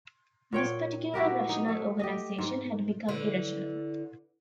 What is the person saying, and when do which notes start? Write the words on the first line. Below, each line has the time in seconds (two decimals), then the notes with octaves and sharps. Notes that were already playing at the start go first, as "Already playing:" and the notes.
This particular rational organisation had become irrational.
0.53 A#2 C#5 G5
1.14 E4 F#4 G4 A#4
1.49 D#4
1.68 A3
1.99 G4 D#5
2.38 G#2
3.09 D3 E3